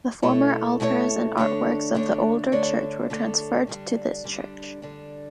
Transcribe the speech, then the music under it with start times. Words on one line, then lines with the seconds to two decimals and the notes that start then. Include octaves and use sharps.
The former altars and artworks of the older church were transferred to this church.
0.22 B2 A3 E4 A4 C#5
0.80 B2 A3 E4 A4 C#5
1.37 D3 A3 D4 A4 C#5
1.95 D3 A3 D4 A4 C#5
2.52 D3 A3 D4 A4 C#5
3.10 D3 A3 D4 A4 C#5
3.67 D3 G3 D4
4.24 D3 G3 D4
4.82 D3 G3 D4